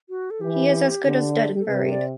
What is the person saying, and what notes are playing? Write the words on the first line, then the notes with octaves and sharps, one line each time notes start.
He is as good as dead and buried.
F#4
A4
E3 G4
D3
A4
C3 B4
D5